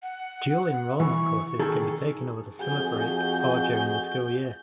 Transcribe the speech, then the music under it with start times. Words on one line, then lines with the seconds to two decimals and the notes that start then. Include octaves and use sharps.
Dual-enrollment courses can be taken over the summer break or during the school year.
0.03 F#5
1.00 E3 C#6
1.59 D#3 G#4 A4
2.60 F2 F#4 G#4 G6